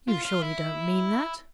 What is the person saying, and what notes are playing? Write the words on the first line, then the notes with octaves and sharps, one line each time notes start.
"You surely don't mean that?"
F4
F4
E4